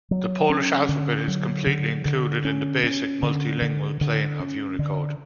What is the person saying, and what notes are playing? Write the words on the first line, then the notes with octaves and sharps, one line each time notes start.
The Polish alphabet is completely included in the Basic Multilingual Plane of Unicode.
F#3
C#4
D3
F#3
D3
D3
C#4
C#4
D3
D3
D3
C#4
D3